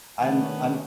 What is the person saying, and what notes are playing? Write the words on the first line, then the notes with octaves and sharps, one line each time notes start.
I'm I'm
D#3 A3 B3 C#4 D4